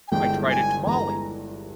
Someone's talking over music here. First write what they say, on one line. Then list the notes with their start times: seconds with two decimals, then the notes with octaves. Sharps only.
I tried a tamale,
0.08 G#5
0.11 G1 G2 E3 G#3 G5
0.49 G#5
0.87 G1 G2 E3 G#3 A#5